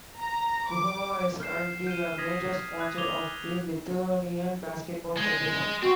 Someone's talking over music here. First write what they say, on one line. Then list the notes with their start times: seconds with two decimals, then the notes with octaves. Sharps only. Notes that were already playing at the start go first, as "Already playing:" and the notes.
Guoga is currently a major sponsor of the Lithuanian Basketball Federation.
0.18 A#5
0.69 D6
1.40 F6 G6 C7 E7
1.87 G6 D#7 G7
2.18 D#6 G#6 A#6 B6
2.79 D#6 F#6 G#6
2.98 D6 G#6 F7 G7
5.17 G#3
5.82 C4 F#4